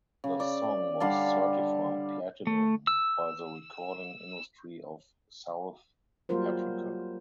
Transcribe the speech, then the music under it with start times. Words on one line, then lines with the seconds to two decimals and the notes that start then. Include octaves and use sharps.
The song was certified platinum by the Recording Industry of South Africa.
0.24 C#3
0.40 D5
1.00 D3 G3 F5 A5
2.47 A3
2.87 E6
6.29 F#3 G3 A#3 F4 A#4 C5